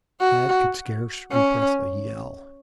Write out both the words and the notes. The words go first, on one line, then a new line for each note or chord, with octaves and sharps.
Tad could scarce repress a yell.
F#4
C#4